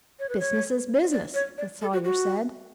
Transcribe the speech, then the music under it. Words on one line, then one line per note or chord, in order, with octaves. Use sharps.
"Business is business," the Sawyer said.
C#5
B4
C#5
D5
C#5
D5
A4
F#4
F#4